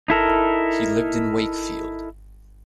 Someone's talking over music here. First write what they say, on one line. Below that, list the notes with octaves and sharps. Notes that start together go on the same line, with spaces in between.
He lived in Wakefield.
D#4 E4 A4 A#4